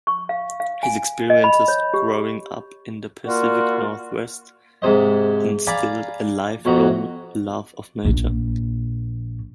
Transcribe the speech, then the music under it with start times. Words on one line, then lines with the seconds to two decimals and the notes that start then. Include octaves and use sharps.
His experiences growing up in the Pacific Northwest instilled a lifelong love of nature.
0.07 C#6
0.29 F5
0.60 F5
0.83 G#5
1.30 D#5
1.44 B5
1.68 C#5
1.94 G4
3.26 A#3 F4 F#4 D5
4.82 G#2 C3 C5 D#5
5.67 D5 F5 G#5 A#5 B5 D6
6.65 F2 B2 F#4 A#5
8.05 A#1 A#2